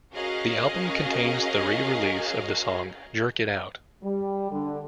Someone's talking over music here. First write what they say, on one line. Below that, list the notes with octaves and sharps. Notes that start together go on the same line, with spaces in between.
The album contains the re-release of the song Jerk It Out.
C#4 F#4 G#4 A#4 D#5 F5
G3
D3